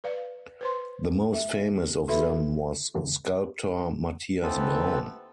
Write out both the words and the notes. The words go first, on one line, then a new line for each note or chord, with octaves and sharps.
The most famous of them was sculptor Matthias Braun.
B4 D5 F5
B4 C5 C6
E5
E4 F#4 A4 B4 E5 B5
D#2 E3 B3 C4 A4 B4